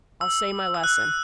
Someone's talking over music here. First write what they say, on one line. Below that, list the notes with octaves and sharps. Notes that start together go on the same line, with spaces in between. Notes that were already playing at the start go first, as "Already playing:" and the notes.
I'll say my lesson.
E6
E6
F#6